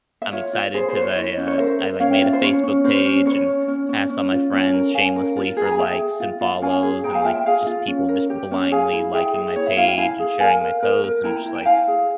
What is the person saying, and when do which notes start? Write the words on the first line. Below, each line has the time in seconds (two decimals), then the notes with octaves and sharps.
I'm excited 'cause I, uh, I, like, made a Facebook page, and asked all my friends shamelessly for likes and follows, and, like, just people just blindly liking my page and sharing my post, and I'm just like
0.22 E5
0.32 F4 C#5
0.53 F4
0.74 G#4 C5
0.88 C5
0.96 F4
1.02 C#5
1.16 E4 C#5
1.37 C#4
1.47 C#5
1.58 A#4 C5 E5
1.79 A#4
2.00 C#4 C#5 F5
2.11 E5 G5
2.21 F4
2.33 C5
2.42 C#4 C#5
2.63 C#4
2.84 C#4 C5
3.05 C#4
3.26 C#4 C#5
3.47 C#4
3.68 C#4
3.89 C#4
4.10 C#4
4.32 F4
4.53 C#4
4.73 A#4
4.94 C#4 F5 G#5
5.16 A#4
5.36 F4
5.57 G#4
5.64 A#5
5.72 G#5
5.78 G#4 E5 G5
5.99 G#4
6.20 F4
6.41 F4
6.62 C#4 F5 G#5
6.83 G#4
7.04 G#4 G5 A#5
7.15 F5 G#5
7.25 F4 E5 G5
7.35 E5 G5
7.46 G#4 F5 G#5
7.67 F4
7.88 C#4
8.09 A#4
8.30 G4
8.51 C#4
8.72 G#4 F5 G#5
8.93 E4
9.14 G#4 E5 G5
9.35 G#4
9.56 E4 C#5
9.67 E5
9.77 E4 F5
9.88 G5
9.98 E4 F5 G#5
10.19 G#4
10.40 A#4 F5 G#5
10.61 A#4
10.83 A#4
11.04 A#4
11.24 E4 G5 A#5
11.46 E4
11.55 G5
11.66 E4 F5 G#5
11.88 G#4